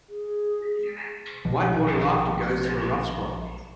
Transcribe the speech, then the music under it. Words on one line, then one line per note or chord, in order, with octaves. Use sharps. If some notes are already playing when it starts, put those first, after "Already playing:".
White water rafter goes through a rough spot.
G#4
A#1 B2 F3